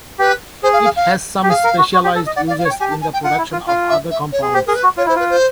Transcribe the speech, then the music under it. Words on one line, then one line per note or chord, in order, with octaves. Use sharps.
It has some specialized uses in the production of other compounds.
G4 B4
G#4 C5
F5
F5
F5
G4
G#4 F5
A#4
F#4
F#4
G4
A4
D#5
D5 F#5
F5
D5
F5
C#5
G5
G4 G#5
A5
G#5
G5
F4 F#5
E4
F4
F4 F5
E5
E5
C#5
G#4
G4 C5
G#4 A#4
B4
F#4
F4 C#5
E4 C5
F4 B4
C5